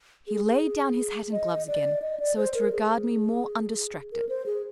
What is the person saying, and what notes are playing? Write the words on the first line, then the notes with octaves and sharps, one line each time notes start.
He laid down his hat and gloves again, so as to regard me more undistracted.
G#4
D#5
D5
D#5
D5
C5
A#4
G#4
A#4
C5
G#4